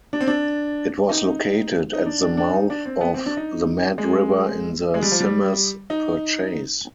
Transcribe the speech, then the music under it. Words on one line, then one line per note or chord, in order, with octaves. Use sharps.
It was located at the mouth of the Mad River in the Symmes Purchase.
D4
C4
D4
D#4
D#4
D4
D4
D4
D#4
D4
C4
B3
C4
D4
D#4
G#3
G#3
G3
F3
G3
D#4